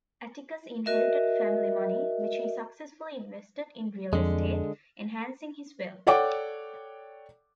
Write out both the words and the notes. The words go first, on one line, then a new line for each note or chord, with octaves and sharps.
Atticus inherited family money, which he successfully invested in real estate, enhancing his wealth.
F#4 A#4 D#5 E5
F2 D3 G#3
A4 C#5 D5 F#5 G5 D6